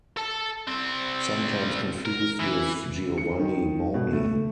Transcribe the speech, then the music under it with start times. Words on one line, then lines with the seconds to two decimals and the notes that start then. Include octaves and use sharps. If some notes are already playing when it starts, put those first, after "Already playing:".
Sometimes confused with Giovanni Boni.
0.17 A4 A5
0.68 G3 C4
2.05 A#4
2.40 E3
3.18 C#7
3.40 D#3
3.94 B2
4.13 A3